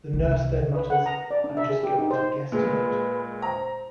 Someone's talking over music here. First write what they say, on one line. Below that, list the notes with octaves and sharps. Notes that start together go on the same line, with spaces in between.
The nurse then mutters, I'm just going to guesstimate.
C2
B4
F#5
A#5
D5
D4
E5
G#4
G4
D#4
C5
A#2 G#3 B4
C5 A#5